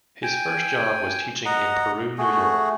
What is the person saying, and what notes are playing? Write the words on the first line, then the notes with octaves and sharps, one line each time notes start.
His first job was teaching in Peru, New York.
G5 G#5
D#5 F#5 A#5
A3 F#4 G#4